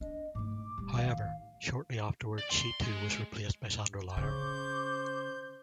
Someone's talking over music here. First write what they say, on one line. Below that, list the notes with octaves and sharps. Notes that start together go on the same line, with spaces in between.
However, shortly afterwards she too was replaced by Sandra Lauer.
D4 D#5
G#2 A3 D6
D1 G3
A1 D#3 F5
D5
C6
G#3
C#3 C5 C#6 D6 G6